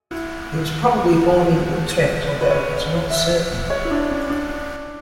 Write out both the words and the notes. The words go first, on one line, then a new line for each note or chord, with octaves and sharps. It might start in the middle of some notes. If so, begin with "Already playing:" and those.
He was probably born in Utrecht, although it is not certain.
E4
B4
C#5
E5
C#5
E4
D4
C#4
D4